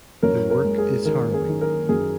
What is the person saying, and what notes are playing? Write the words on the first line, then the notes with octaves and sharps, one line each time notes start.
The work is harrowing.
F#2 A#4 C#5
A#4
G#3
G#4
D#3 A#4
G#4
D#3
A#4
F#2 G#4